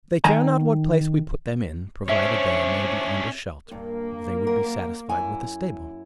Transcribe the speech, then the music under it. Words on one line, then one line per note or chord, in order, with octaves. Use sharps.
They care not what place we put them in, provided they may be under shelter; they would be satisfied with a stable.
D#3 G#5 A#5
C#4 D4 C5 C#5 E5
G2 A#3
F#2 A#4
F#2 E4 G#5